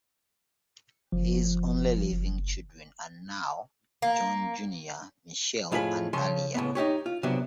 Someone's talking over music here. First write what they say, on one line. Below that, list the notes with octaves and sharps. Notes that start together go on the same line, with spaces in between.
His only living children are now Jon Junior Michelle and Aria.
F#1 F3
F#1
A#3
F2 A2 F4 G#4 A4 B5
C#3 F3 C#5 C6
C#2 A2 B3
D#4 F4 G4 C#5
F4
C3 F#3 B3 D4